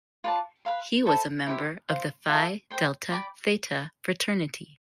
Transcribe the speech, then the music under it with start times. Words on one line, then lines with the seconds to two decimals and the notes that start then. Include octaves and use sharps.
He was a member of the Phi Delta Theta Fraternity.
0.24 F4 B4 D5 A5
0.65 B4 F5 C6
1.06 A4 C5 E5 B5
1.47 E4 G4 C5 E5
1.89 C5 F5 C6
2.29 F4 A4 E5
2.70 C5 G5 C6
3.11 D5 G5 B5 D6